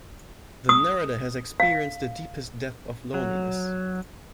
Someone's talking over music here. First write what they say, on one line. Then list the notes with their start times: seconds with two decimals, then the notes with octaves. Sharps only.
The narrator has experienced the deepest depth of loneliness.
0.69 D#6
1.60 F5
3.14 F#3